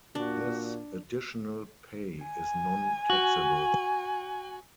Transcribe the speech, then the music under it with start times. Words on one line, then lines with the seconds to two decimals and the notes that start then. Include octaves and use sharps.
This additional pay is non-taxable.
0.15 A#2 D4 F#4
2.25 G#5
3.10 F#4